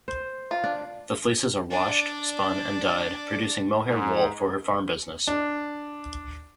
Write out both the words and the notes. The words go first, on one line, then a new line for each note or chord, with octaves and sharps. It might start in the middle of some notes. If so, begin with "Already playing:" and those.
The fleeces are washed, spun and dyed, producing mohair wool for her farm business.
C5
F4
D4
D4 D5
G#2
D4